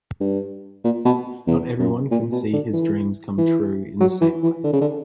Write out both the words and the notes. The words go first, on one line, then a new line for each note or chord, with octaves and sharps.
Not everyone can see his dreams come true in the same way.
G2
A#2
B2
E2
F#2
A#2
B2
D3
E3
E3
F#3
E3
E3
D3
C#3
D3